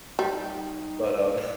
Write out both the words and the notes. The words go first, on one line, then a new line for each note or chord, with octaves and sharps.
but, um,
G3 D#4